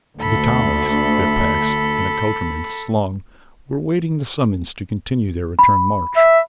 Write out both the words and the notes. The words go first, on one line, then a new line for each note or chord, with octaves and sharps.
The Tommies, their packs and accouterments slung, were waiting the summons to continue their return march.
D2 A4 B5
B5
E5